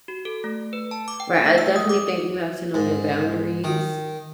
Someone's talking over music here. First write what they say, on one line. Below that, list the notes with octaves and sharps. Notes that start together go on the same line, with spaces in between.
Right, I definitely think you have to know your boundaries,
F#4
A4
A3
B4
A5
D6
G5
A3
E6
D#6
D6
G#2
D#3